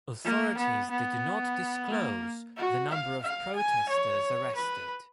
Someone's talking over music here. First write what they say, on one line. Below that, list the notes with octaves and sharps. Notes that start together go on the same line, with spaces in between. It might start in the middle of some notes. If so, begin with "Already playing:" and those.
Authorities did not disclose the number of protesters arrested.
A#3
B3
B3
A#3
F#4
F5
F5
G#5
C#5
B4